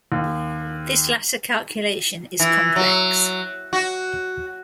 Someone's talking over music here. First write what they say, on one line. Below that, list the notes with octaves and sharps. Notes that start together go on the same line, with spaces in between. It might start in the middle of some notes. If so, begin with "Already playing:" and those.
This latter calculation is complex.
D#2
E3
F#3
F#4